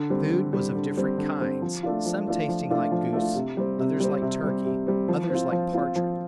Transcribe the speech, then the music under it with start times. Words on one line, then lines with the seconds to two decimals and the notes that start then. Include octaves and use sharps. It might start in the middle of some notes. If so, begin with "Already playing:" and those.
The food was of different kinds--some tasting like goose, others like turkey, others like partridge.
Already playing: D3
0.10 G3 C4
0.31 D3
0.53 G3 C4
0.75 D3
0.97 G3 C4
1.18 D3
1.40 G3 C4
1.62 F3
1.83 A3 D4 F4
2.06 F3
2.27 A3 D4 F4
2.49 F3
2.70 A3 D4 F4
2.92 F3
3.13 A3 D4 F4
3.35 C3
3.57 G3 C4
3.79 C3
4.00 G3 C4
4.22 C3
4.43 G3 C4
4.65 C3
4.87 G3 C4
5.08 F3
5.30 C4 F4
5.52 F3
5.73 C4 F4
5.96 F3